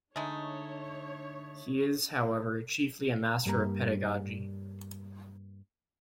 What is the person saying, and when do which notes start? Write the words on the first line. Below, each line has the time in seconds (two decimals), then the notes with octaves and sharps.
He is, however, chiefly a master of pedagogy.
0.16 D3 G#3 A3 D4 D#4 C#5
3.46 G2 G3 A#3 A#5